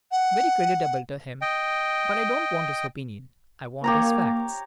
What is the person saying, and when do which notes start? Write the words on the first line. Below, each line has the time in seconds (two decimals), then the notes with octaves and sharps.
Very creditable to him, but I don't want his opinion--I want his facts.
0.12 F#5
1.41 D#5 G5
3.84 A#3 G4 C#5 A#5